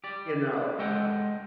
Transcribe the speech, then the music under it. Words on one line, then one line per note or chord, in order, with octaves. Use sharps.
you know,
G4 D5
G#3 A4 D#5 F#5 G5